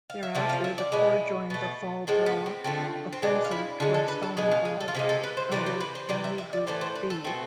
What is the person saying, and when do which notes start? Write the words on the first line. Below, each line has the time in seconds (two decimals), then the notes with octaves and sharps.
Thereafter the corps joined the "Fall Blau" offensive towards Stalingrad under Army Group B.
0.10 F5
0.23 E5
0.35 C3 F3 A3 D5
0.49 F5
0.64 E5
0.78 D5
0.92 B2 G#3 E4
1.50 B2 A3
2.07 A2 F3 G#3 C4
2.26 B3
2.46 C4
2.64 D3 F3 A3 C4
3.13 C4
3.22 B2 G#3 D4
3.44 F4
3.51 E4
3.80 D3 G#3 F4
3.94 A4
4.08 B4
4.23 A4
4.37 B2 G#3 G#4
4.51 F4
4.65 G#4
4.80 A4
4.88 F4
4.95 C3 E3 G#4
4.99 G#3
5.09 A4
5.24 B4
5.37 C5
5.52 C3 E3 A3 D5
5.66 C5
5.81 B4
5.95 C5
6.09 C3 E3 D5
6.24 E5
6.38 E5
6.53 D5
6.67 A2 E3 A3 C5
6.81 C5
6.96 B4
7.10 A4
7.24 B2 A3 C4